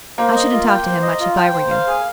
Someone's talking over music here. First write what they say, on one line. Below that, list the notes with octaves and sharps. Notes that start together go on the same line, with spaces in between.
I shouldn't talk to him much if I were you.
A#3 C5
D#5
F4
G5
C5
D#5
F4
G5
C5
F5
G#4